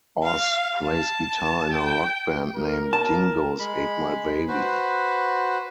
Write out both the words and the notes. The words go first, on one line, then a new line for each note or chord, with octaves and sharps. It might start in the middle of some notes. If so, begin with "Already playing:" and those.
Oz plays guitar in a rock band named Dingoes Ate My Baby.
F5
A5
G5
A#4
A5
G#3 B5
F#4 B4 C5